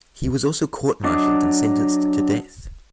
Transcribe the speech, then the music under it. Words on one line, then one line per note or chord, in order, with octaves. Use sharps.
He was also court-martialled and sentenced to death.
F#3 D4 D#5 D6